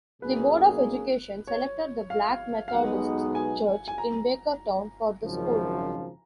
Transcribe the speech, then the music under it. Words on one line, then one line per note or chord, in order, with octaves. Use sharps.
The Board of Education selected the Black Methodist Church in Bakerton for the school.
B1 B2 A#3 C#4 G#4 B4
C#5
F5
F5
B1 B2 G#3 B3 D#4 F#5
G#5
G#5
A#5
G#1 F#2 C#3 F3